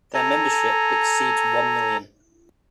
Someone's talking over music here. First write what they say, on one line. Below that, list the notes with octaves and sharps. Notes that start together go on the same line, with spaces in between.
Their membership exceeds one million.
A4 G#5 A#5